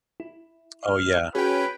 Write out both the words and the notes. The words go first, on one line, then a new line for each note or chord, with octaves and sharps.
Oh, yeah.
E4
F6
C#4 F#4 G#4 B4 G5